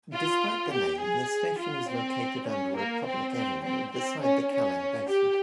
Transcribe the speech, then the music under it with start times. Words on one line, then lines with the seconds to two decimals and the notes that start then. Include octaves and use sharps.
Despite the name, the station is located under Republic Avenue, beside the Kallang Basin.
0.14 F4
0.72 G4
1.01 G#4
1.60 F4
1.89 C4
2.48 C#4
2.77 A#3
3.06 C4
3.35 C4
3.64 C4
3.93 C4
4.23 C#4
4.52 C#4
5.10 G4